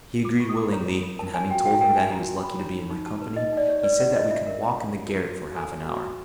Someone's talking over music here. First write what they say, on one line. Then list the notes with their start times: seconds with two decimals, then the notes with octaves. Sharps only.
He agreed willingly, and having told him that he was lucky to be in my company, he said that we could walk in the garret for half an hour.
0.25 F4 D6
0.40 F4 C#6
0.49 D#6
0.56 A#4 D6
0.72 C#5 A#5
0.88 F4
1.03 F4
1.19 A#4 A5
1.34 C#5 G#5
1.50 F#4 G5
1.65 F#4 G5
1.81 A#4 G5
1.96 C#5 G#5
2.12 F#4 A#5
2.27 F#4
2.43 A#4 B5
2.59 C#5 A#5
2.74 D#4
2.90 D#4
3.05 G4 A5
3.21 B4
3.36 D#4 D#5
3.53 D#4 D5
3.68 G4 C#5
3.83 B4 D5
3.99 C#4 D5
4.15 C#5 D#5
4.30 F4 E5
4.47 A#4
4.62 C#4
4.77 C#5
4.93 F4
5.08 A#4
5.24 F#4
5.40 F#4
5.55 A4 G#5
5.71 C#5
5.86 F#4
6.01 F#4